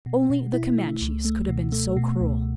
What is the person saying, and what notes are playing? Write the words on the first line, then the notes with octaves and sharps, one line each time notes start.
Only the Comanches could have been so cruel?
B2
B2
E4
A3
C#2
A3
B2
A3
B2
C#2